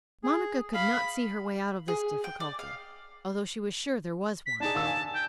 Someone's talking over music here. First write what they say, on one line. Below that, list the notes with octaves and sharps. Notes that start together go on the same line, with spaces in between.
Monica could not see her way out of this difficulty, although she was sure there was one.
G#4
F5 B5
G#4
G5
D5
F5
B6
D4 D#4 G#4 A5
A#1 D#2 E6
G#5
G5